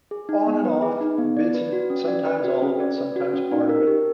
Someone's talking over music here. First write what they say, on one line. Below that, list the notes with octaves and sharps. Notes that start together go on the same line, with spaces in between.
On and off, bits and sometimes all of it, sometimes part of it.
G#4
D#4
B3
B4
G#4
D#4
B3
D5
B4
F#4
C#4
D5
B4
F#4
C#4
D5
B4
F#4
C#4
D#4
A#4
G4